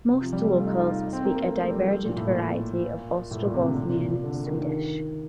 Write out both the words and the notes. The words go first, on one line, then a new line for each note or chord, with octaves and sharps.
Most locals speak a divergent variety of Ostrobothnian Swedish.
C3
F3
G3
A3
F4
D#4
F4
D#4
C4
A#3
A#3
A3
F3
G3
A#2
A2
A#2
A2
A#2
C3
D3
C3
A#2
A#2
A#2
D3
D#3
D3
D#3